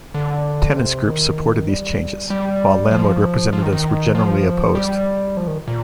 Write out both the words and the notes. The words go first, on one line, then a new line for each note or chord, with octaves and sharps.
Tenants' groups supported these changes, while landlord representatives were generally opposed.
D3
C3
D#3
G3
G3
F3
F3
D#3
D#3
F3
G3
F3
D#3
A#2